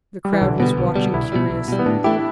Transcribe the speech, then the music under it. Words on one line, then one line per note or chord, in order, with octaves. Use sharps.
The crowd was watching curiously.
G3
E3
B1 D3
B2 G3 B3
B1
B2 G3
B1 E4
B2 G3
B1
B2 G3
B3
A2 D4
E3 A3 E4 G4